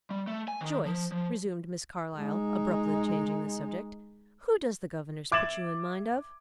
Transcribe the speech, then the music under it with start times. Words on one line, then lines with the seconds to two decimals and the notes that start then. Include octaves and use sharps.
"Joyce," resumed Miss Carlyle, abruptly changing the subject, "who does the governess put you in mind of?"
0.11 G3
0.27 A3
0.48 G#5
0.61 D#3
0.85 F3
1.12 F3
2.16 G#3 D#4
5.32 E5 D6 G#6 A6 E7 F#7